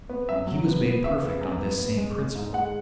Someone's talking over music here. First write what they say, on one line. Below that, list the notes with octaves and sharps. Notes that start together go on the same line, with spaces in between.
He was made perfect on this same principle.
B3
F#2 E5
F#3
B3
B3
C#3 E5
B3
F#2
B3
B3
G#3
G#3
G#2
G#3 F#5